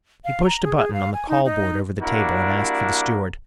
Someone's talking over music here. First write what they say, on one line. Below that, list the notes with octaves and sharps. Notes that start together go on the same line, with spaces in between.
He pushed a button on the call board over the table and asked for the steward.
F5
A#5
G#4
G#4
F5
G#5
D#4
D#4
G3 A#3 D4 E4 F#4 A#4